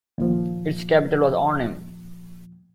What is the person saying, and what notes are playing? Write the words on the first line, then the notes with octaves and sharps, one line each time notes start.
Its capital was Arnhem.
D#2 A#2 F3